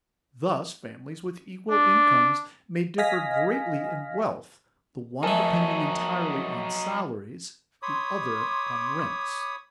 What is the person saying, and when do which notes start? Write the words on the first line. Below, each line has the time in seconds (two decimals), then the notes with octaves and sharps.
Thus, families with equal incomes may differ greatly in wealth, the one depending entirely on salaries, the other on rents.
1.71 D4
2.98 D#5 F5 G#5 F6 A#6 B6
5.23 F2 F#3 A3 D#4 A#4 G#5 A5
7.82 C#5 B5 C6 D6 D#6